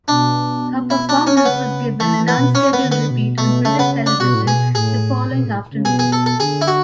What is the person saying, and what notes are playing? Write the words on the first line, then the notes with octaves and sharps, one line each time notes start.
Her performance was given an unscheduled repeat on British television the following afternoon.
B2 D4
E4
D4
C#4
C#4
C#3 B3
E3 A3
E3
B3
B2
C#4
B3
D3
B3
B2
B2 A3
C#3 A3
B3
D4
B2 F#4
A2
B2 G#4
A2 G#4
B2
A2
C#3
B2 G#4
G#4
A4
A4
D3 G#4
E4
F#4